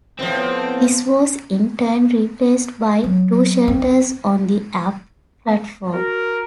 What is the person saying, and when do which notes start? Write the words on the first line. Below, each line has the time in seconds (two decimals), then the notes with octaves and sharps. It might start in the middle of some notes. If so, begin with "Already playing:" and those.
This was in turn replaced by two shelters on the Up platform.
0.19 A2 F3 B3 C4
3.04 F#3
3.68 C4
5.94 F#4 A#4